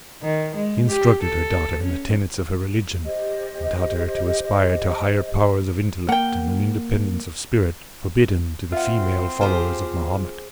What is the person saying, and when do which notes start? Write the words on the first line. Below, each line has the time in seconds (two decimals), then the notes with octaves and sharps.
She instructed her daughter in the tenets of her religion and taught her to aspire to higher powers of intellect and an independence of spirit forbidden to the female followers of Muhammad.
0.22 D#3
0.56 G#3
0.89 G4
1.23 A4
1.83 C#4
3.06 G4 C5 D#5
6.09 A#3 F#5 G5
8.72 C4 F4 E5 F#5
9.41 F4 G4 G#4 C5